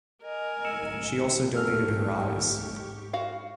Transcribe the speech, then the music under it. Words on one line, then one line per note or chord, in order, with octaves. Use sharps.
She also donated her eyes.
A#4 D#5 G#5
E6 C#7 E7
G#2 G4 A4 C#6 F6
F#4 F5